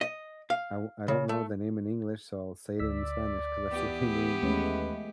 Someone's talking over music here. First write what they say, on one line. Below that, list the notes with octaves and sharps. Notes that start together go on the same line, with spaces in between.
I I don't know the name in English, so I'll say it in Spanish 'cause that's the only name,
D#5
F5
C#3
A3
D2 D5 E6 B6
E3 B3 G4
D#2 G#3 A3 C#4 B4